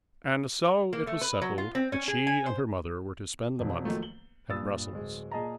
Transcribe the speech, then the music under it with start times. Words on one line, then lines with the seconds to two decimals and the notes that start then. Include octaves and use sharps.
And so it was settled that she and her mother were to spend a month at Brussels.
0.93 A#3
1.07 A3
1.21 B4
1.42 F#3
1.58 F4
1.75 C4
1.92 C#4
2.08 G#4
2.27 G#5
2.46 C5
3.59 E1 F2
3.84 D#3 F3 F#3 A3 A#3
4.02 F#7 G7
4.50 G2 A#2 D#6 E6 A6
4.92 D1 G#3
5.32 A#2 G#4 D#5 A5 A#5